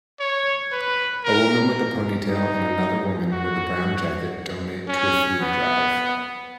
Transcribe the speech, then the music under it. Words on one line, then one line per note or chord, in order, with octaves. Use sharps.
A woman with a ponytail and another woman with a brown jacket donate to a food drive.
C#5
B4
A#4
D#4
F#4
C#4
B3